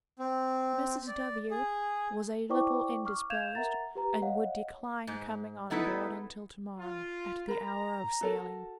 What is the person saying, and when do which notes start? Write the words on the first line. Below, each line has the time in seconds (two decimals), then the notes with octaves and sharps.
"Mrs. W. was a little indisposed, and would decline coming on board until to-morrow, at the hour of sailing."
0.19 C4
1.08 D5
1.51 G#4
2.50 E4 C5 D5 G5 C#6 D6
3.05 C#6 D6 F6
3.30 F5 G6 G#6 E7 F7
3.55 A#4 E5 F#5 A#5 A6
3.95 G4 B4 A#5
4.22 C#5 D#5 F5 F#5
5.07 G#2
5.70 A3 B3 D#4 E4 A4 B4
6.78 F4
7.48 A#4 A#5 B5
8.21 F#4 A4 A#4